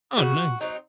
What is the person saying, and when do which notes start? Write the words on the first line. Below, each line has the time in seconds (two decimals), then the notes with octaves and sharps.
Oh, nice.
0.17 C#3 F#4
0.61 F#3 C4 D#4